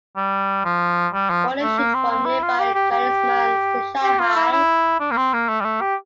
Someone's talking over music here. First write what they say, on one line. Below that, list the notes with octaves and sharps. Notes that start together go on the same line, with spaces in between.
Coal is shipped from nearby Chinese mines to Shanghai.
G3
F3
G3
F3
A3
A#3
C4
C4
E4
F4
G4
G4
G4
G4
F4
E4
E4
D4
A#3
C4
A#3
A3
G3
A3
G4